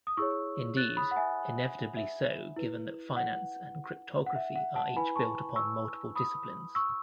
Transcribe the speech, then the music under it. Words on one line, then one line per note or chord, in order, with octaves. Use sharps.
Indeed, inevitably so, given that finance and cryptography are each built upon multiple disciplines.
D#6
E4 G#4 C#5 C#6 E6
F#6 A6
B5 D#6
F#5
E5 G#5
E5
E4 B4
F#5
F#5
E5
F#5
F#5 A5
E4 B4 G#5 B5
A5 C#6
C#6 E6
B5 D#6
C#6 E6